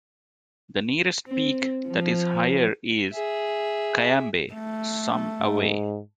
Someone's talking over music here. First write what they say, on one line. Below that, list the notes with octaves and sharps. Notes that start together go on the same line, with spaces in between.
The nearest peak that is higher is Cayambe, some away.
C4
F3
G#4 E5
A3
G#2